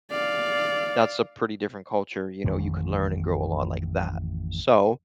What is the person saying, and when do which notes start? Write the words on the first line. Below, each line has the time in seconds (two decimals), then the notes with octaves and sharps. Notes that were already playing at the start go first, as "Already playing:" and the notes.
that's a pretty different culture, you know, you could learn and grow a lot like that. So,
0.11 D5 F5
2.44 A1 F2 D#3 G#3